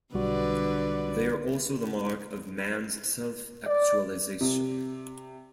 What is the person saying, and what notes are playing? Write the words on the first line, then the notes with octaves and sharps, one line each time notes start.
They are also the mark of man's self-actualization.
B1 D3 G3 F#4 B4 D5
D5
C3